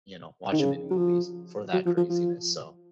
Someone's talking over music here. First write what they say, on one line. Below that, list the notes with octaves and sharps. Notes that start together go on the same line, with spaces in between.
you know, watch him in movies for that craziness, so
D#3
C#3
F#3
F3
F#3
F3
F3
F3